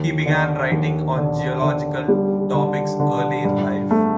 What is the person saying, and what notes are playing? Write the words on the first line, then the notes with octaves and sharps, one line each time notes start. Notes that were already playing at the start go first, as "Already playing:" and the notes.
He began writing on geological topics early in life.
Already playing: D#2
D3
D#2
D3
D3
G3
D3
D3
G2
A3